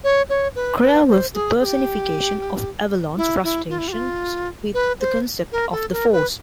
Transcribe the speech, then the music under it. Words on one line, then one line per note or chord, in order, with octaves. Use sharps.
Kreia was the personification of Avellone's frustrations with the concept of the Force.
C#5
C#5
B4
B4
C5
G#4
G#4
G4
E4
E4
F4
E4
G4
F4
B4
C5
A#4
A4
A#4
B4